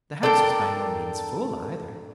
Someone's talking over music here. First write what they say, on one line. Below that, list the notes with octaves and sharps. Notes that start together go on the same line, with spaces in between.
The house was by no means full, either.
D4 A4 A#4 G5